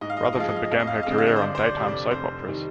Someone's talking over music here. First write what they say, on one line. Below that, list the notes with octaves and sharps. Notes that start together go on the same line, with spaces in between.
Rutherford began her career on daytime soap operas.
G#2 D#5
F5
D#5
F5
D#5
F3 G#3 F5
D#5
F5
D#5
F2 F5
D#5
F5
D#5
F5
D3 G#3 C4 D#5
F5
D#5
C5
G1 D5
C5
D5
F2 C3
D5
F1 C5
D#3 G3